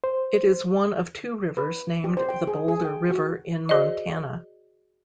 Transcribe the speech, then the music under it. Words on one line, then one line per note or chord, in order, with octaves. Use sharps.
It is one of two rivers named the Boulder River in Montana.
C5
B4
G4
C5
G5
G#4
G#4
G5
F#4
F#4 G#4 C5 D5 D#5